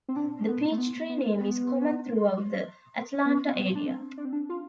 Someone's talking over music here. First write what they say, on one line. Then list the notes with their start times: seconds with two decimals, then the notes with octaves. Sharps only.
The Peachtree name is common throughout the Atlanta area.
0.09 C4
0.16 D4
0.48 B3
0.72 A3
0.78 B3
1.09 B3
1.40 B3
3.26 B3
3.48 C4
3.56 B3
3.75 D4
3.87 C4
4.18 D4
4.25 C4
4.33 D4
4.49 F4